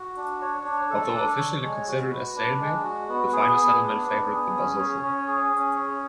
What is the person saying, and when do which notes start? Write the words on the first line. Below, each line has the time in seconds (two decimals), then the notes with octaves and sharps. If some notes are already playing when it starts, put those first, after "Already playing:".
Although officially considered a stalemate, the final settlement favoured the Basotho.
Already playing: F#4
0.16 D4
0.42 C#5
0.65 D4
0.90 A4
1.14 D4
1.38 C#5
1.62 G#3
1.88 F#4
2.11 B4
2.36 D4
2.60 G#3
2.84 F#4
3.09 B3
3.33 G#4
3.58 B3
3.81 D4
4.06 B3
4.31 G#4
4.55 C#4
4.79 C#5
5.03 C#4
5.28 G#4
5.53 C#4
5.76 C#5